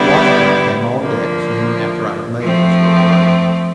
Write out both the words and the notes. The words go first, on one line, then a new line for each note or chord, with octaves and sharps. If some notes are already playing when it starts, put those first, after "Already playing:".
Washburn came on deck soon after I had made this little arrangement.
Already playing: D3 G3 B3 E4
D3 F3 A#3
F3 A3 C4